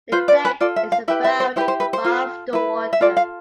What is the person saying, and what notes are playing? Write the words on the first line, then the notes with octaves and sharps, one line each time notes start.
The deck is about above the water.
F4 B4 C5
D5
B4
F4 A4 D5
E5
F5
E4 G4 B4 E5
E5
C5
E4 G4 B4 C5
C5
B4
C5
F4 A4
E4 B4
E5
F4 A4 D5
F5